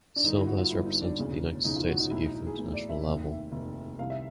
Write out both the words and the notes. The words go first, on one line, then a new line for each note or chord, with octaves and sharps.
Silva has represented the United States at youth international level.
D4
G1 G2 D3 D#4
E4
F#4
F4
G1 G2 D3 E4
D#4
D4
E1 D2 C#3 E3
E1 D2 C#3 E3 D#4
F4
F#4
D#4
B1 A2 E3 E4
D#4
D#4
G#4
B1 A2 E3
D5
E5
F1 D#2 D#3
F1 D#2 D#3
C2 C3 D#3 F5
E5